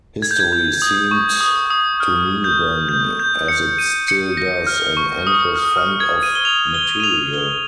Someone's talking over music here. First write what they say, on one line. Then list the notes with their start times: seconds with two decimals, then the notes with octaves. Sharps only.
History seemed to me then, as it still does, an endless fund of material.
0.22 G#6
0.31 G6
0.40 G#6
0.53 G6
0.82 D#6
1.11 C#6
1.41 D#6
1.70 D#6
2.00 F6
2.44 G6
2.89 G6
3.19 G6
3.48 C#7
3.79 D#7
4.08 C#7
4.37 A#6
4.67 F6
4.97 C#6
5.27 D#6
5.56 F6
5.77 F6
6.00 G#6
6.23 D#7
6.35 G7
6.45 F7
6.74 G7
7.00 D#7
7.03 F7
7.34 G7